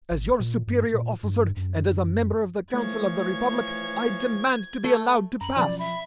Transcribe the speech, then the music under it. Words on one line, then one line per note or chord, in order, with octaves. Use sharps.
"As your superior officer and as a member of the Council of the Republic I demand to be allowed to pass!"
G#1
A#2
G2
A#2
G2
F#2
E3 F3 A3 C#5 G#6
A3
F#2 A#5 B5
B2 F3 F#3 C#4 D5
E5 B5